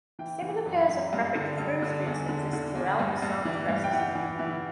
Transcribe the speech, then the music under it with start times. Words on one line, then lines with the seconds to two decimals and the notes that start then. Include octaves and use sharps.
Similar pairs of rapid through-streets exist throughout San Francisco.
0.19 E3 G5
0.42 E3
0.66 F#2
0.88 F#2
1.13 G2
1.35 D3
1.58 G2
1.82 D3
2.06 E2
2.29 D3
2.53 D3
2.75 E2
2.99 G2
3.22 G2
3.45 E3
3.69 G2
3.84 G5
3.93 E3 F#5
4.15 E3
4.39 E3 E5